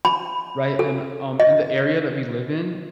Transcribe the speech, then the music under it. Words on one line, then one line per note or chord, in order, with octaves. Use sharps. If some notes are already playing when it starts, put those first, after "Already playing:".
right, and, um, in the area that we live in,
B5
A4
D#5